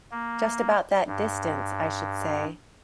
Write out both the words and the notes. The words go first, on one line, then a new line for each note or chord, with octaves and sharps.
Just about that distance, I should say.
A#3
G2